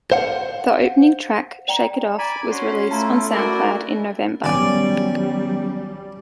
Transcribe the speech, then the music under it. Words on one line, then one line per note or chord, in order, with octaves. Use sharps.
The opening track "Shake It Off" was released on Sound Cloud in November.
C5 F5 F#5
D5 G5 A#5
D5 G#5 A#5 B5
C#4 F#4 C6
A3 E4 F4 A5 A#5
E4 F#4 A#4 D5
D#3 F#3 G3 B3 C#4 D5 G#5